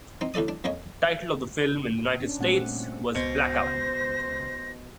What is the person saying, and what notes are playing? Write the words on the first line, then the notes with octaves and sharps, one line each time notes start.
The title of the film in the United States was Blackout.
C4 D#4
D2 A2 A4 D5 D#6
D4
F2 A#3 C#4 C#5 D#5
C#4 D4
A#2 G3 A3 C4 F#5
C#2 B2 C5 A#6